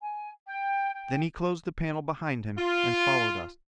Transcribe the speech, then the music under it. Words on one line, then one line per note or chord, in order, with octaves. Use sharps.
Then he closed the panel behind him and followed us.
G#5
G5
G5
F4